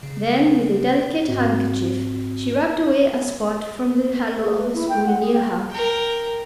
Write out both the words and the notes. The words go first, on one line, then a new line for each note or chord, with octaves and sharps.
Then with a delicate handkerchief she rubbed away a spot from the handle of a spoon near her.
C#3
G1 G#2 C4 F#4
G#4
B4
E4
G5
F#5
G#4
G5
A#4 G5